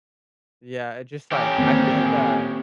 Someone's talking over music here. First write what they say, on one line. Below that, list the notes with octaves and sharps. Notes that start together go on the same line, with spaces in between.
Yeah, it just like I feel that
C#4 G4
D#3 A#3 C4